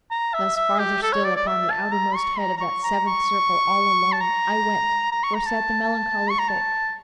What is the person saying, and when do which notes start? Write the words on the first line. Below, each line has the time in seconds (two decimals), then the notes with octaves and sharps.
Thus farther still upon the outermost Head of that seventh circle all alone I went, where sat the melancholy folk.
0.11 A#5
0.34 E5
0.56 E5
0.79 G4
1.02 A4
1.13 C#5
1.24 D5
1.36 D5
1.47 E5
1.70 A5
1.92 A#5
2.16 C#6
2.39 A#5
2.57 A#5
2.61 C#6
2.84 A#5
3.07 C#6
4.12 A5
4.20 A#5
5.12 A#5
5.23 C#6
5.34 A#5
5.46 A5
6.30 C#6
6.39 A#5
6.48 A5